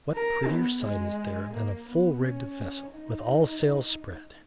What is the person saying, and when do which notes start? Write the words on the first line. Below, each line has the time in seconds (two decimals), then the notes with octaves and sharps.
What prettier sight is there than a full-rigged vessel with all sails spread!
0.15 A#4
0.49 B3
0.84 G#3
1.53 A#3
1.88 B3
2.22 C#4
2.92 D#4